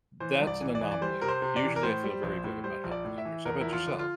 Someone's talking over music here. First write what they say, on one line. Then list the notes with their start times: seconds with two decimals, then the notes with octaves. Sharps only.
that's an anomaly, usually, I feel very good about helping others. How 'bout yourself?
0.20 E3 C5
0.40 C2
0.47 D5
0.61 E3
0.75 D5
0.81 E3
0.91 D5
1.01 G3 C5
1.21 C3 A#4
1.28 C5
1.42 C3
1.56 D5
1.63 E3
1.76 A#4
1.83 A2 C5
2.04 G3
2.23 A#1
2.44 A2
2.64 G3 C5
2.84 A#1
2.91 D5
3.05 A2
3.18 E5
3.25 E3
3.45 E2 A#4
3.61 F3 E4
3.73 F4
3.86 D3
3.99 F4